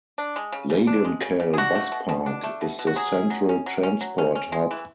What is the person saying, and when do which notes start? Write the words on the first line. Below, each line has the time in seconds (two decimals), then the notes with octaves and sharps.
Lagankhel Bus Park is the central transport hub.
0.18 D4
0.36 G#3
0.53 C#3
0.70 C#3
0.87 D4
1.05 G#3
1.22 C#3
1.40 C#3
1.54 G#4
1.57 D4 F#4
1.75 A3
1.92 B2
2.09 B2
2.26 D4
2.44 A3
2.61 B2
2.79 B2
2.87 F#4
2.96 F#3 G#4
3.14 C#4
3.30 F#3
3.49 C#4
3.66 F#3
3.83 C#4
4.01 F#3
4.18 C#4
4.35 C#4
4.52 G#3
4.71 E3